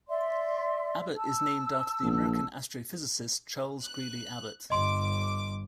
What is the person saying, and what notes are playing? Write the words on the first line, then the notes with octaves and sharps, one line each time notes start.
Abbot is named after the American astrophysicist Charles Greeley Abbot.
D5 E5 C6
A5 E6
A#1
F#6
G1 D#5 C6 D6